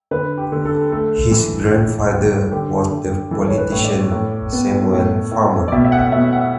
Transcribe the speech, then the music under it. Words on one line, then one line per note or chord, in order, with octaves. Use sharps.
His grandfather was the politician Samuel Farmer.
D3 B4
G4
D3
A4
A3 A4
E3
A2
G3
D3 G4
D3
E3 A4
C#5
B4
A2
D5
A2
B3
A2
A2
D5
B2 E5
E5
F#5
B2 E5
F#5